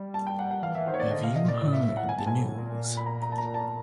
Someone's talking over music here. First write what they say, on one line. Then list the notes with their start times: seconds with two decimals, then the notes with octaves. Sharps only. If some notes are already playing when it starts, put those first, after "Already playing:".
Have you heard the news?
Already playing: G3
0.14 A5
0.27 G5
0.39 F#5
0.51 F#5
0.63 E3 F5
0.75 E3 E5
0.87 D#3 C5
0.94 C#5
1.00 D5
1.11 D3 D#5
1.24 C3 F5
1.36 D#5
1.44 A#2 D5
1.60 A2 D5
1.73 E5
1.84 E5
1.97 F#5
2.09 G#5
2.18 A5
2.25 G#2 G#5
2.41 A2
2.58 A#2
2.97 B5
3.06 A#5
3.22 A#5
3.32 A5
3.38 A#5
3.54 A5